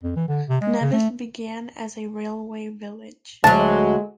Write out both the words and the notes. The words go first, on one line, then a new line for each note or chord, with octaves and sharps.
Nevis began as a railway village.
F2
E3
D3
C3
G#3
C#3
A3
D2 F#3 G#3 A5